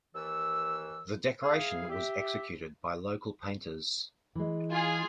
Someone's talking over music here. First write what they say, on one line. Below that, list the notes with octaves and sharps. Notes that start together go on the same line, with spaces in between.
The decoration was executed by local painters.
D#2 E3 E6
E4 G#4 F5
G4 E5
E3 G#3
F4 G#4 G#5